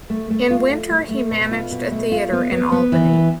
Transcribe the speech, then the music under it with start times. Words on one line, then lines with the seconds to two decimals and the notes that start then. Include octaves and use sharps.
In winter, he managed a theatre in Albany.
0.10 A3
0.30 A3
0.51 F4
0.71 F4
0.90 A3
1.11 A3
1.31 B2
1.51 F4
1.72 B2
1.91 A3
2.12 F4
2.32 B3
2.52 B3
2.72 B3
2.92 E3
3.13 B3